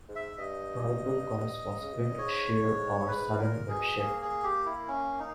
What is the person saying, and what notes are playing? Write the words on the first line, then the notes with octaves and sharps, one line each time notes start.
Probable cause was wind shear or sudden windshift.
G#2
E5
G2 D#5
C#3
B2
A#2
G#2 C#5
G#2
G#2 B4
A#2 A#4
B2 G#4
A#3 G#4
G#4
G4
E4
C#4
D#4